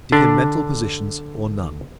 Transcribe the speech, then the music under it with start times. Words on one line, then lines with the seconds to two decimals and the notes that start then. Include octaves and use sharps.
Give him mental positions or none.
0.12 D3 D4